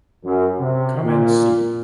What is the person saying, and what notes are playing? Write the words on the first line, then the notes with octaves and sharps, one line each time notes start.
Come and see.
F#2
C3
A#2